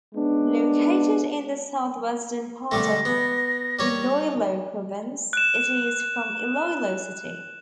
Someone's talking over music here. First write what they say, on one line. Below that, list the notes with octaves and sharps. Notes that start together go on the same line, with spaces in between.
Located in the southwestern part of Iloilo Province, it is from Iloilo City.
G#3 B3 C#4 D4
D3 G3 A3 A#6
B3
G3 C#5
F#6 E7